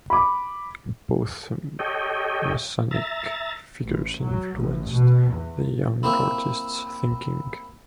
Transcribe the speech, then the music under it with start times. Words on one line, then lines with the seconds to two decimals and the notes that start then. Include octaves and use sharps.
Both messianic figures influenced the young artist's thinking.
0.10 B5 D6
1.79 G4 A4 C#5 D#5 G5
2.91 E5 A#5 A6
3.84 A1
4.23 F#3
4.57 A1
4.93 B2
5.32 E2
6.03 A#3 C4 E4